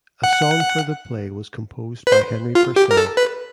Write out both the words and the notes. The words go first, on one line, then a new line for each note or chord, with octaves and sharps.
A song for the play was composed by Henry Purcell.
F#5
B4
C5
F4
G4
A#4
A4
B4